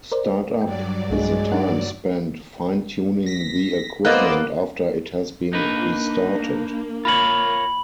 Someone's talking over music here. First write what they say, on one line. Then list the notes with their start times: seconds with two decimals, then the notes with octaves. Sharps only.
"Start-up" is the time spent fine tuning the equipment after it has been restarted.
0.12 A#4 C5 D5
0.61 G2 F#3 D5 G5
1.10 B1 G#3 D4
1.52 D4 D#4 F#5
3.26 A#6 B6
4.05 A#3 B3 C5 D5 D#5 E6 F#6
5.53 A#3 D4 D#4 B4
7.05 F4 A#4 C#5 B5 F#7